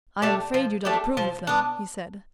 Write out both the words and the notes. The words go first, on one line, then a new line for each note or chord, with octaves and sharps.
"I am afraid you don't approve of them," he said.
A3 D4 G4
F3
A3 D4 G4
F3
B3 D4